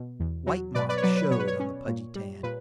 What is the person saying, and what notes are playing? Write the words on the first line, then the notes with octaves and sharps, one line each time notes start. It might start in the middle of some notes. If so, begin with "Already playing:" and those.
White marks showed on the pudgy tan.
Already playing: B2
E2
F#3
B2 B4 D5
B4 D5
C#5
F#3 B4 D5
B4
B2 C#5
B4
C#5
C#4
A#2
G3
A#2 B4